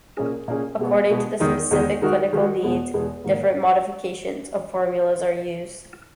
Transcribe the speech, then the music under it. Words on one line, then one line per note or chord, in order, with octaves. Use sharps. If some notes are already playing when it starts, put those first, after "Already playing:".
According to the specific clinical needs, different modifications of formulas are used.
A#2 A#3 C#4 G#4
A#2 A#3 C#4 G#4
B2 G#3 B3
B2 G#3 B3
E2 D#3 G#3 D#4
E2 D#3 G#3 D#4
D#3 G#3 D#4 F#4 A#4
D#3 G#3 D#4 F#4 A#4
E2 B2 G#3 B3
E2 B2 G#3 B3
G#2 D#3 A#3